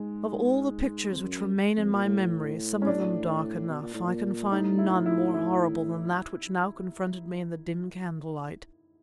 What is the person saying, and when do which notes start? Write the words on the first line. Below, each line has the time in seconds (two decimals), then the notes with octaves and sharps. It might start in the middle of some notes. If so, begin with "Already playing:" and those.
Of all the pictures which remain in my memory, some of them dark enough, I can find none more horrible than that which now confronted me in the dim candle-light.
Already playing: G#2 G#3
1.12 F2
1.23 F#2
1.77 F2
1.94 A#2
2.05 A2
2.82 C#4
2.87 D4
3.69 B2
3.82 A#2
3.94 A2
4.07 A#2
4.51 A2 D#4
4.78 E4
5.06 E4
5.34 E4